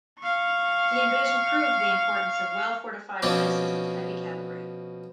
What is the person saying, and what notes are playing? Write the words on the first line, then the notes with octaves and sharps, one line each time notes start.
The invasion proved the importance of well-fortified places and heavy cavalry.
F5 C#6
B2 F3 C4 C#4 D6